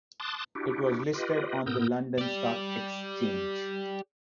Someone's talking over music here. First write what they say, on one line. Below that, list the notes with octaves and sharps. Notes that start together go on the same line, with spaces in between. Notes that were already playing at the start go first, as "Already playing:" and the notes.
It was listed on the London Stock Exchange.
A5 C6 D6 D#6 F#6 A6
D4 E4 F#4 G4
F4 G4 B4 D#5
A2 B3 A#4 D#6 E6 G6
G4 D5